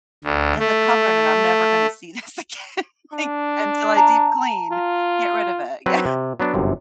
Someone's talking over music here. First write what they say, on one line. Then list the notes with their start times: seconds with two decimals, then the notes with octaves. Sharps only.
in the cupboard, and I'm never gonna see this again, like, until I deep clean, get rid of it, yeah.
0.24 D2
0.59 A3
3.13 D4
3.97 A5 A#5
4.72 F4
5.86 F#3 C4 B4
6.06 C3
6.40 F#3 B3 D4
6.54 G1 F#2 C3